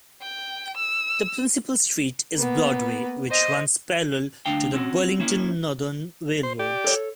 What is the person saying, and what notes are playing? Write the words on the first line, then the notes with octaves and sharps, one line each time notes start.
The principal street is Broadway, which runs parallel to the Burlington Northern Railroad.
G5
E6
A#3 B3
C5 D#5
D2 D4 F5 G5
C4 C#4 F#4
A#3 C#4 E4
C5
G4 D5
A4 C#5